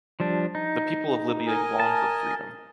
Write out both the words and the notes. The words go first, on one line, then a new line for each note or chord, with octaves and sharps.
The people of Libya long for freedom.
F3 G3 D4
D#4
A#4 D#5 G#5
A5